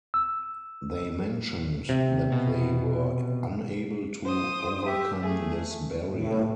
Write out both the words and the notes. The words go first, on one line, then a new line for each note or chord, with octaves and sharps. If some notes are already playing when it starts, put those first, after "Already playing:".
They mentioned that they were unable to overcome this "barrier".
E6
C3
B2
C5 D#6
G4 E5
A3 G#4
A2